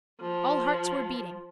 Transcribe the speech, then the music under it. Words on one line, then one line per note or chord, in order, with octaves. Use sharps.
All hearts were beating.
F3